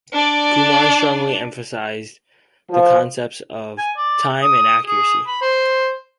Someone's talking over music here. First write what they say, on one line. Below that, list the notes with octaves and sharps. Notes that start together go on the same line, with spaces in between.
Kumon strongly emphasised the concepts of "time" and "accuracy".
D4 D5
F3
G#5
D5
D#6
G#4
B5
C5